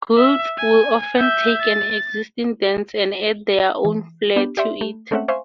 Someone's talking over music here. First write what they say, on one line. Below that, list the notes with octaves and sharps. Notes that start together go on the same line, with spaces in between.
Guilds will often take an existing dance and add their own flare to it.
E5
G#5
E5 G6
A6
E3
B3 D4 G4
G4 D5 E5 C6
A3
G#3 A3 C4 C#4 E5 F#5
C5 E5 F5 G#5 C6 C#6